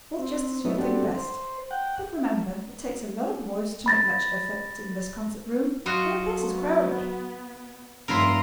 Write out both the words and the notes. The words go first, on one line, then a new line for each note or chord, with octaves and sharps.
Well, just as you think best. But remember, it takes a lot of voice to make much effect in this concert-room, and the place is crowded.
C4
F#3 A3 B3 C#4 D#4 E4
G3 C4 D4 F#4 A4
C5
F#5 G5
B5 A6 A#6
F#3 F4 F#4 D#5
B3
F1 G2 E4 F4 A#4 A#5 C6